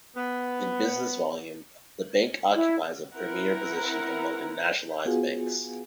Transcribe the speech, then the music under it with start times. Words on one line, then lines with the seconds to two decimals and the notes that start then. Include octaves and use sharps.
In business volume, the Bank occupies a premier position among the nationalised banks.
0.15 B3
2.55 E4
3.15 C4 E4 A#4 B4 F#5 A#5
5.05 B3 F4 F#4 G#4 G#5